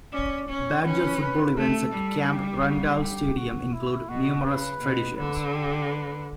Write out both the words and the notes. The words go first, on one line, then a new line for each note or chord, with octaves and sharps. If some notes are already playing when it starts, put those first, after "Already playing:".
Badger football events at Camp Randall Stadium include numerous traditions.
C#4 D5
C#4 C#5
C#4 B4
B4
A3 A4
G3
G4
F#4
G4
F#4
E4
B2 F#4
C#3 B4
B2
D3 B4
G4
B4